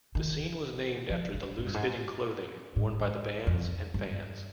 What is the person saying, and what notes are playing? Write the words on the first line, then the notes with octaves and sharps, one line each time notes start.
The scene was named after the loose-fitting clothing worn by the bands and fans.
D#3
F3
D#3
G#2
G2
G#2
G#2
G#2
F2
G2